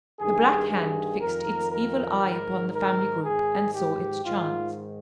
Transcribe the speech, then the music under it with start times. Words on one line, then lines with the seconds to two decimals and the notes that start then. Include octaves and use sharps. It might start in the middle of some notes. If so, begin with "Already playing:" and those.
The Black Hand fixed its evil eye upon the family group and saw its chance.
0.20 G2 D#3 G#4
0.70 G#4
1.21 F2 D#3 A#4
1.72 A#4
2.23 G#2 D#3
2.73 A#4
3.23 G#2 D#3 G#4
3.74 G4
4.24 G#2 D#3 F4